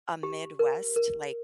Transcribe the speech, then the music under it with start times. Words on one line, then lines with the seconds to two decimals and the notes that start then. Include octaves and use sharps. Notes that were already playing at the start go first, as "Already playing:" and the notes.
a Midwest, like,
0.23 G4
0.59 A#4
0.96 A#4